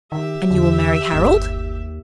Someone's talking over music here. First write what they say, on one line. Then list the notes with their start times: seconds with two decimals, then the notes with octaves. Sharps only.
'And you will marry Harold?'
0.12 D#3 G4 E5
0.50 E2 D3
1.13 G1 D#2